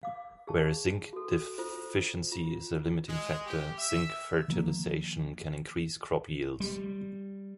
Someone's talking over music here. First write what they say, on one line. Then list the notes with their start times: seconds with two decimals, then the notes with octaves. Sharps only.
Where zinc deficiency is a limiting factor, zinc fertilization can increase crop yields.
0.03 F5 D6
0.47 G#4 A5
1.13 F#4 A4
1.58 F4 A4 C5
2.32 F4
3.07 G#3
3.45 G4
3.78 E5
4.48 D#3 F3 G#3 A#3
6.60 G3